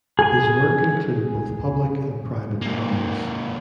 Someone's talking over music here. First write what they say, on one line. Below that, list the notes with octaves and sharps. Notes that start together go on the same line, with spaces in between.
His work included both public and private clients.
G#4 G#5
G#2 A#3